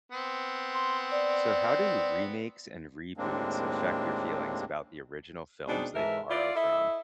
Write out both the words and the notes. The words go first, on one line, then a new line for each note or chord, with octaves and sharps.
So how do remakes and reboots affect your feelings about the original films they borrow from?
B3 C4
C6
D5
D#2 A2 G#3 A#3 C4 D4
B2 G#3 C4 D4 D#4 G#4
G#2 E3 A4 A#4 E5
E4 F4 D5
E4 A4 D#5 E5